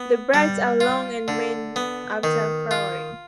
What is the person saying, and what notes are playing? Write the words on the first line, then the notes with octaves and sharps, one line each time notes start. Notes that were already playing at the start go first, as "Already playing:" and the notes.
The bracts are long and remain after flowering.
Already playing: B3
G3
F4
D3
B3
D#3
F4